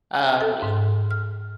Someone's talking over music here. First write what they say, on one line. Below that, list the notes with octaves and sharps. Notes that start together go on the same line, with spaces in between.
um, y
A4
G#2
F6